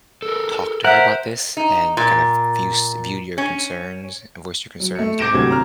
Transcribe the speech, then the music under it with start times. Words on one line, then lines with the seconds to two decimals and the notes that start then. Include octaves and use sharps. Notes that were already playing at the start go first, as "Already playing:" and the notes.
talked to her about this and kind of views viewed your concerns a voiced your concerns to her?
0.22 A4 A#4
0.84 A#4 C5 E5 F#5
1.57 D#4
1.97 A#2
3.38 C#4
4.80 F#3
4.95 A3 C#7
5.19 D6 G6 A#6 D7 E7
5.34 D2 C3 F#3 G#6
5.49 G#1 A#5 F6